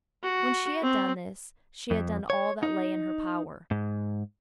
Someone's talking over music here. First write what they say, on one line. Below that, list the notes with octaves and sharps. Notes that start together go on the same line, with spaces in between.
When she had done this, she had done all that lay in her power.
F#4
C4
F2
C#5
D#4
G#2